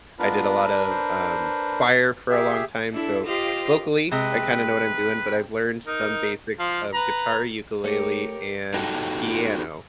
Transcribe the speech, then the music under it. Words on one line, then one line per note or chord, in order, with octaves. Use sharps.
I did a lot of, um, choir for a long time, so, vocally, I kinda know what I'm doing, but I've learned some basics of guitar, ukulele, and piano.
G#3 B3 D4 F4 A#4 B4
C5
G4 G#4 E5
D4 E4 A4
F4 G4 C5 D#5 F5 G5
C3 G#3 B4
D#4 A#4
F3 F5
B4 A#5
A3 G4 A#4 C#5 C#7
D#4 F#4 G4 A4